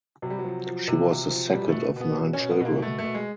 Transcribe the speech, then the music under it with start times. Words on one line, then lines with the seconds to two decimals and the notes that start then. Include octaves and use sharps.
She was the second of nine children.
0.22 C3 F#3
0.30 G3
0.39 F#3
0.44 F3
0.67 F3
0.88 C3
1.10 C3
1.31 F3
1.52 B2 G3
1.69 A3
1.74 B2
1.96 B2 B3
2.17 B2
2.33 C#4
2.39 B2
2.50 B3
2.60 B2 A#3
2.82 B2 A3
2.98 A3
3.04 B2
3.14 G#3